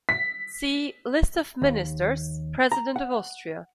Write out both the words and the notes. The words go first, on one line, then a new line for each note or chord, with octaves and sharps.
See: List of Ministers-President of Austria.
B6
D#2
A#5
F#5